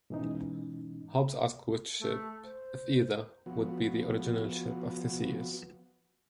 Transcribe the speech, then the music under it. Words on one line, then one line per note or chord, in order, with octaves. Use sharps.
Hobbes asked which ship, if either, would be the original Ship of Theseus.
G#2 B2 E3 C#4 D#4
A3
C5
F3 B3 F#4